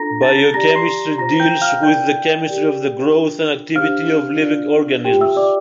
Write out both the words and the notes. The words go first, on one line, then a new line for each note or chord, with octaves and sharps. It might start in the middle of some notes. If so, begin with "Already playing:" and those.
Biochemistry deals with the chemistry of the growth and activity of living organisms.
Already playing: D4 F4 A4 A#5 A#6
A5 A6
G4 D5 A#5 A#6
A#6
C6 C7
F4 C5 A#5 A#6
G5 G6
F5 F6
E4 A#4 D5 G5 G6
G4 A#4 D5
D4 F4 A#4
D4 G4 C5 F5 F6
D4 F4 A#4 D5
F4 G4 C5 G5
E5 E6
D5 D6